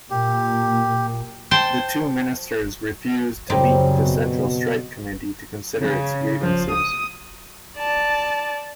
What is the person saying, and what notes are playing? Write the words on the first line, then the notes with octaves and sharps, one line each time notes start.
The two ministers refused to meet the Central Strike Committee to consider its grievances.
A#2 G4
C5 G5 A5
F#2 C#3 G3 C4 D#4 C5
B2
C#3
F3
D#6
D5 A5